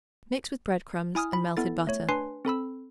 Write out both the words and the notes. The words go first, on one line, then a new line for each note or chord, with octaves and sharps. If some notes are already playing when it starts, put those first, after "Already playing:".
Mix with bread-crumbs and melted butter.
E4 G#5 D#6 F6
B5
B3 E4 A4 A6
A3 C#5
D4 B4 G#5 C6 C7
C4 A4 B5 E6